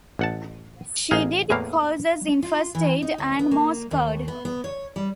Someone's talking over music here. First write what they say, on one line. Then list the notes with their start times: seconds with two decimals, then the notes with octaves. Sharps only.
She did courses in first aid and Morse code.
0.19 A1 F#5 A5
1.11 A1 D#4 G#4 F5
1.50 E2 A2 E3 A#3 F5
2.42 F4
2.75 E3
3.02 D#4
3.18 D2
3.39 B3
3.51 A#3
3.91 D#2
4.28 B3
4.45 B3
4.64 C#5
4.96 G3